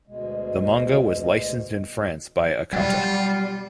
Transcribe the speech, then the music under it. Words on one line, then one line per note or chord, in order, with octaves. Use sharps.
The manga was licensed in France by Akata.
D2 B2 G#3
B2 F#3 G3 F4 F#5 G5 A6